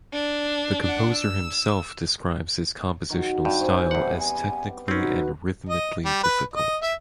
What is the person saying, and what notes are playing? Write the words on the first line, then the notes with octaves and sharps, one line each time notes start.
The composer himself describes his compositional style as technically and rhythmically difficult.
D4
D4 F#5
E6
D#3 F#3
G2 C4 G5
C#4 G#4 C5 G#5
E2 G3 B3 C4 F#5
G#5
C4 C#4 D#4 F#4 B4
D#5
G3
B4
D#5
E5